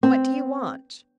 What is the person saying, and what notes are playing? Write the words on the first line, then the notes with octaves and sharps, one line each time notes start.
"What do you want?"
C4